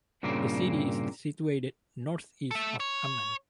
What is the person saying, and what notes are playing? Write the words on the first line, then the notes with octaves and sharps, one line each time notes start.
The city is situated northeast of Amman.
G2 A#2 C#3 A#3 C4
A4 E5
C#5